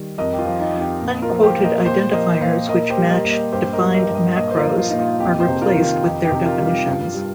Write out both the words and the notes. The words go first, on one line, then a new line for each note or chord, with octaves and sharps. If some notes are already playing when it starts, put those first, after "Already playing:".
Unquoted identifiers which match defined macros are replaced with their definitions.
Already playing: D#3 G3
F2 A#4 D#5
G4
F4
F3
D#4 G4
F2
D#4 G4
A#2
F4 A#4
F3
G4 C5
A#2
A#4 D#5
A#2 G4 C5
F3 A#4 D#5
A#2 C5 F5
A#2 A#4 D#5
G4 C5
G3
A#4 D#5
A#2
A#4 D#5
G2 G4 C5
A#4 D#5
G3
A#4 D#5
G2
A#4 D#5
A#2 A#4 D#5
C5
F4 A#4
F3
F4
A#2 D#4
F4
F2 D#4 G4
G4 C5
C3
F4 A#4
D#3
F4
F2 D#4 G4
D#4 G4
C3
F4 A#4
G3
F4
G2
G3